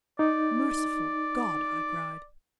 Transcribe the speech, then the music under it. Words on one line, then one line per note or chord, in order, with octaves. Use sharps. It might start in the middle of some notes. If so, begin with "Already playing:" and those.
"Merciful God!" I cried.
D#4 D5